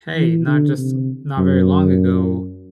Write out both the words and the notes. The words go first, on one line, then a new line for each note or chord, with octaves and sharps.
"Hey, not just not very long ago
E3
D3
C3
F#2